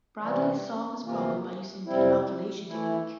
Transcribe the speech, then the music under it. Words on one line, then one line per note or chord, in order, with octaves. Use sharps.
Bradley solved this problem by using the inoculation technique.
C3 E3 G3
D2 C3 E3 A#3 F4
F2 C3 G3 C4 E4
E3 A3 E4